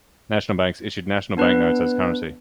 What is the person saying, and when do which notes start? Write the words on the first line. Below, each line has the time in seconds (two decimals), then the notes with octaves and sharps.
National banks issued National Bank Notes as currency.
1.37 B3 D4 B4